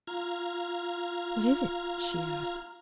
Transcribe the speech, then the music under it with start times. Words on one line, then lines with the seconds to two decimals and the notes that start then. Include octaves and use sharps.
'What is it?' she asked.
0.07 F4 F5 A#5 G#6